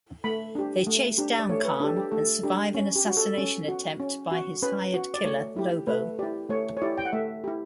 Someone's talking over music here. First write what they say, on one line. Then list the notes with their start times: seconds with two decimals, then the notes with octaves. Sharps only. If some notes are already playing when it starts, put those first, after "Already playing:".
They chase down Khan and survive an assassination attempt by his hired killer Lobo.
0.24 A3 B5
0.55 D4 G4
0.87 A3
1.18 D4 G4
1.39 D5
1.49 A3 C#5
1.60 C#5
1.65 B4
1.80 D4 G4 A4
1.97 G4
2.11 A3 A4
2.43 D4 G4
2.75 C#4
2.96 G4
3.06 F#4
3.17 A4
3.38 C#4
3.68 F#4
4.00 C#4
4.32 F#4
4.62 C#4 B4
4.94 F#4
5.14 D5
5.25 A3 C#5
5.56 E4 G4
5.87 A3 B4
6.19 E4 G4 D5
6.50 A3 C#5
6.77 C#5
6.82 E4 G4 D5
6.98 G5
7.05 F#5
7.12 A3 E5
7.44 E4 G4